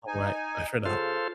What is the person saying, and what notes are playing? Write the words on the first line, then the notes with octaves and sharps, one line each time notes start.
All right, bye for now.
D#4 G#5
C#3 F4 A4 C5